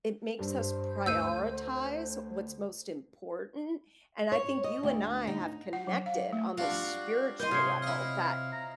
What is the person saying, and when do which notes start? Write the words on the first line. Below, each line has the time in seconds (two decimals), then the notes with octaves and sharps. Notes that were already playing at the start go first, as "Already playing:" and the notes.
It makes us prioritize what's most important, and I think you and I have connected on the spiritual level that,
0.39 G2 C5
1.06 D2 E6 G6 D#7
4.32 C#5
4.64 D#5
4.83 D2
5.27 D#4
5.73 F#5
5.87 F#3
6.06 F5
6.33 A3
6.57 G3 D4 F4 F#4 F5 F#5
7.40 B4 D#5 C6 G6
7.51 C3 F4 G#4 C5 C#5
7.82 E4 D#5 F5
8.52 A#5